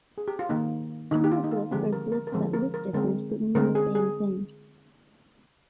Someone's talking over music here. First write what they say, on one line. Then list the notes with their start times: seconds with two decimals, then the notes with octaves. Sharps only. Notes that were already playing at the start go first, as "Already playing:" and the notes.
Synoglyphs are glyphs that look different but mean the same thing.
0.18 G#4
0.28 G4
0.39 F4
0.49 D#3 A#3 D#4
1.11 D#3 A#3 D#4
1.24 G4
1.32 F4
1.44 D#4
1.51 F4
1.71 D3 F3 G#3 C4 G4
1.93 A#4
2.12 A#4
2.27 A#4
2.32 D3 F3 G#3 C4 C5
2.54 A#4
2.74 A#4
2.93 D3 G#3 C4 A#4
3.55 D3 G#3 C4 A#4
3.75 G#4
3.95 G#4